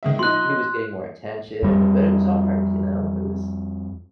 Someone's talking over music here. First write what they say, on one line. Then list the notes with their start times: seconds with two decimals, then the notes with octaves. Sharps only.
“he he was getting more attention. And but it was hard, you know? It was
0.03 D#3 G#3 E5
0.19 F3 D#4 C6 F#6
1.63 F2 G3